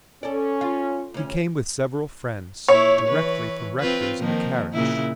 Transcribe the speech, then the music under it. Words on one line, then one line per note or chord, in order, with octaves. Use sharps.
He came with several friends directly from Rector's in a carriage.
C#4 A4 D5
F4
D2 C#4
A#2 E4 C#5
E3 B4
C4 F4 B4
D#3 F3 A#3
A#2 C#3 E4